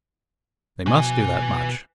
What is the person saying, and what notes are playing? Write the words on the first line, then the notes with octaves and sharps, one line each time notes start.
They must do that much.
B2 B4 G#5